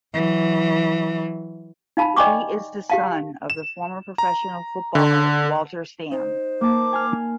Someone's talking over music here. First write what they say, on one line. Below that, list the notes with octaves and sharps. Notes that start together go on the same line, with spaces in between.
He is the son of the former professional footballer Walter Stamm.
E3 F#3
D#4 F5 A5 B5
D5 D#5 G5 G#5 C#6 D6
G4 F5 A5
E7
A#5
D3
D#4 C5
A#3 A5 D6
G#5 C6 F6